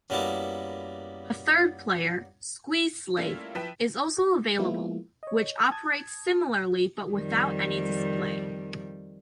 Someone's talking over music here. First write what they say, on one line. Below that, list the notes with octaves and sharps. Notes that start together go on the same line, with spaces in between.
A third player, SqueezeSlave, is also available, which operates similarly but without any display.
F#2 G3 A#3 B3 E4 A5
G3 A3 A#3 C#4 E4 F4
F3 E4 B4 G5 B6 E7
F3 G#3 A#3 B3 E4 F4
C#5 D#5
A5 D#6 G#6
F2 D#3 G3